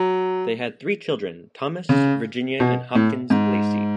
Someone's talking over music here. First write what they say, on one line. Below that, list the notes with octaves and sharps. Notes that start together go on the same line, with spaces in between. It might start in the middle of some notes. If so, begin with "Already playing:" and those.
They had three children: Thomas, Virginia, and Hopkins Lacey.
Already playing: F#3
C#3
B2
A2
G#2